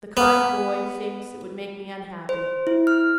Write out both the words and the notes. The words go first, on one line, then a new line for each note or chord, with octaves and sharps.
The kind boy thinks it would make me unhappy.
B3
C5
E4
F6